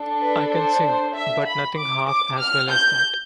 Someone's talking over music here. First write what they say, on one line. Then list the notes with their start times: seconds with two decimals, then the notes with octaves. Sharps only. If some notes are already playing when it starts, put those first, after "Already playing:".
I can sing, but nothing half as well as that.
Already playing: D4 A4
0.22 B4
0.52 C5
0.83 C5
1.15 E5
1.46 B5
1.77 D6
2.08 D6
2.39 F6
2.69 G6